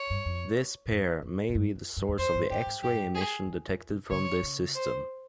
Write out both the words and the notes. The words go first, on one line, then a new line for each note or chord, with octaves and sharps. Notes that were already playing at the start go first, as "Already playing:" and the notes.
This pair may be the source of the X-ray emission detected from this system.
Already playing: C#5
G2
F2
F2
F2
G#2
G2
F2
G2
E2
F2 C5
G2
G#2 G4
G#2
G2 G4
G#4
E2
F2
C3
C#3 C#5
C#3
C5